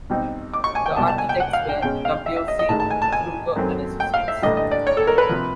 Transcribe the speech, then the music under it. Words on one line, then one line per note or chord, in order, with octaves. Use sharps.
The architects were W. C. Kruger and Associates.
B2 G3 C4 D#4
D6
C#6
G#5
G5
C2 B2 G3 A5
A5
G#5
G5
F#5
F5
G5
B2 G#3 C#4 G5
F5
E5
E5
D#5
D#5
A1 G#2 D#3 G#3 A5
A5
G#5
A5
G#5
F#2 D#3 F#3 A3 C4
G5
F5
E5
A1 G2 D3 G3 D#5
D#5
D5
C#5
A4
A#4
B4
C3 F3